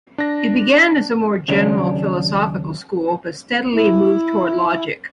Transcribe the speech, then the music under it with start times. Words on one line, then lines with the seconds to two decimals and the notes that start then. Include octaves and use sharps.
It began as a more general philosophical school but steadily moved toward logic.
0.18 D4 A#6
1.48 D#2 C#3 F#3 C#4 D4
3.74 E4